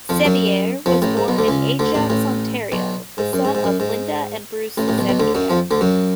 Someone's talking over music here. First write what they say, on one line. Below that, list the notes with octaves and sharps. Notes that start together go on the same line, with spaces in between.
Sevier was born in Ajax, Ontario, the son of Lynda and Bruce Sevier.
F2 F3
F#2 F#3
F2 F3
A1 A2
G#2
B1 B2
D2 D3
C#2 C#3
D2 D3
A1 A2
A1 A2
B1 B2
G#2
F#2
G#2
G#2
F#2
G#2
A1 A2
A1 A2
B1 B2
B1 B2
D2 D3
F#2 F#3
F2 F3
D2 D3
F#2 F#3